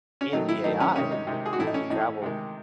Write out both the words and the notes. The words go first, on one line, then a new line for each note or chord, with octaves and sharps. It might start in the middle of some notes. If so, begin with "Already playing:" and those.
in the AI and we've traveled
C#4
D#3 F#3 A3 D#4
E4
D#3 F#3 A3 D#4
C#4
C3 D#3 G#3 C#4
D#4
C3 D#3 G#3
G#4
F#4
A2 E3 A3 E4
D#4
C#4
A2 E3 A3 D#4
C3 D#3 G#3